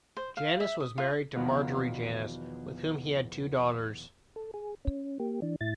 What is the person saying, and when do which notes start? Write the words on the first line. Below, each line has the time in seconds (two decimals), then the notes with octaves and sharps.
Janis was married to Marjorie Janis, with whom he had two daughters.
0.17 C5
0.37 F5
0.60 E5
0.80 D#6
0.98 F4
1.35 E2 B2 D#3 F3 B3 B4
4.36 A4
4.54 G#4
4.85 C#4
5.20 A#3 G4
5.42 E3 D4
5.61 A2 E4 A6